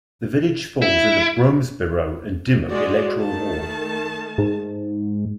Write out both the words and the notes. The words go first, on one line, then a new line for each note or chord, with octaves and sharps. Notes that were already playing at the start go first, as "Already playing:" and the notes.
The village falls in the 'Bromesberrow and Dymock' electoral ward.
E4
G#3 F#4 D5
D#3 A3 A5
G#2